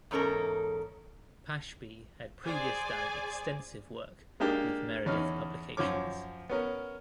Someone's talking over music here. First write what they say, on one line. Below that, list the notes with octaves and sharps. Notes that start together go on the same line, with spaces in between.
Pashby had previous done extensive work with Meredith Publications.
E2 G#2 C#4 A4 A#4
G#4 C5 D5 G#5
G#3 A#3 D4 G4 A#4
E2 C#4 D#4 C#6 F6
F#2 F3 C#5 D6
B3 C#4 A#4